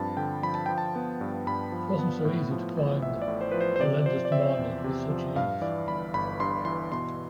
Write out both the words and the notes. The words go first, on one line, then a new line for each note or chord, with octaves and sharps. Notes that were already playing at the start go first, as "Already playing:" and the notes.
It wasn’t so easy to find what the lenders demanded with such ease.
Already playing: G2 F3 C4 A5 B5
D3 G5
F3 B5
A5
F3 G5
A5
B3
G2
G2 B5
F3
B3
A2
F3
A1
A1 E5
D5
A2
C5
F3 B4
C5
C5
C3 D5
F3 C5
D5
C4 E5
E2
C3
F3
G2 F5
E3 D5
G1 B5
G1 B5
G2 C6
E3 C6
B2 C6